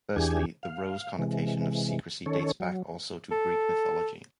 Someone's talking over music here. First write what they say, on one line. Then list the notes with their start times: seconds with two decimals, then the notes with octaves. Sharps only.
Firstly, the rose's connotation of secrecy dates back also to Greek mythology.
0.16 E2 E3 D4 G4 G#4 G#5
0.63 F5
1.19 C3 E3 G#3
2.26 D#3 C#4 A4 C#5
2.60 F#3
3.31 A4